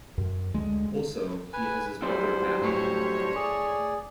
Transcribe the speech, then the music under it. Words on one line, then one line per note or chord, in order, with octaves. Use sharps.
Also, he has his brother back.
F#2
D2 G#3
B4 G#5
F#2 E3 G3 C5
A2 C#5
G#4 D5